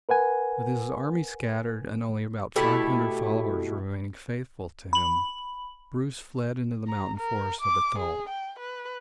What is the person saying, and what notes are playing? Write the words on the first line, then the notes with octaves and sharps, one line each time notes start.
With his army scattered and only about five hundred followers remaining faithful to him, Bruce fled into the mountain forests of Athole.
A#4 B4 F#5 G#5
B2 A3 E4 G4
B5 F#7
A#5
A#4
D6
G#4
G5
B4